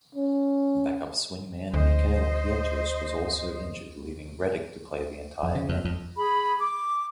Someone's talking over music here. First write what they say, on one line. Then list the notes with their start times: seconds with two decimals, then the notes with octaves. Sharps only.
Backup swingman Mickael Pietrus was also injured, leaving Redick to play the entire game.
0.15 C#4
1.74 D2 C5 D#5
5.43 F2
5.55 C#3
5.69 F2
5.85 F2
6.16 G#4 B5
6.59 D6